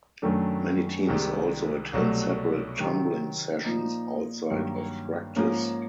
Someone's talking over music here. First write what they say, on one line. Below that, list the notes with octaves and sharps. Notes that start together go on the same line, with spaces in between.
Many teams also attend separate tumbling sessions outside of practice.
F#2 D#3 F#3 A3 D4
C2 C3 D#3 G#3
C2 B2 F#3 A3
C3 D#3 F#3
A#2 F3 A#3 D#4
G2 D#3 F#3 A#3
G#2 F3 A#3 C#4